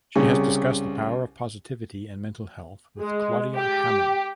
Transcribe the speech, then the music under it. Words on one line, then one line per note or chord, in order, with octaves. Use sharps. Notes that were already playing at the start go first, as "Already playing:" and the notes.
She has discussed the power of positivity and mental health with Claudia Hammond.
C2 C#3
G#3
G4